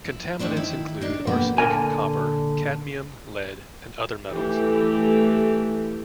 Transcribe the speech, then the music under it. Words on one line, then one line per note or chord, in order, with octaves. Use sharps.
Contaminants included arsenic, copper, cadmium, lead and other metals.
E4
D#3 A3 C4 D4 C5
D#3 E4
D4 D#4
B2 D3 G3 A#3 B3
A#2 D3 A#4 G#5
E3 A3 G4